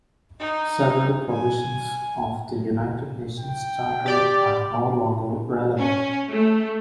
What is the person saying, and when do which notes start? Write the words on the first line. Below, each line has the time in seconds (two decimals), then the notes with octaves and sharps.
Several provisions of the United Nations Charter are no longer relevant.
0.40 D#4
1.31 G#5
3.39 G5
4.06 G4 D5
5.78 C#4
6.31 A3